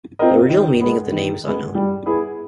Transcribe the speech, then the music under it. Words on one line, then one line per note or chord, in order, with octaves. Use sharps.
The original meaning of the name is unknown.
C4 F4 A#4 D#5
D#3
G#3 B3
D#3
G#3 B3
G3
B3 E4 G#4